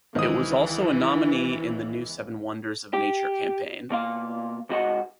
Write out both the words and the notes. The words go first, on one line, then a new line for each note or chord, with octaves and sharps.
It was also a nominee in the New Seven Wonders of Nature campaign.
C#2 D#3 E3 C4 D#5 D#6
G4
B2 A#3 F5
C#2 G#2 F#4 D#5 F#5